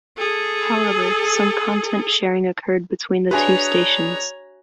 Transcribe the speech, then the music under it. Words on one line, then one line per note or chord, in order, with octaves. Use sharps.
However, some content sharing occurred between the two stations.
G#4 A4
D4 F#4 G#4 B4 C#5 E5 G#5 A#5